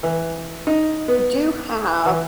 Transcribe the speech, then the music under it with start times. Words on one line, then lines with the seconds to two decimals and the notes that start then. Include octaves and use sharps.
do have
0.03 E3
0.67 D#4
1.08 B3
2.05 E3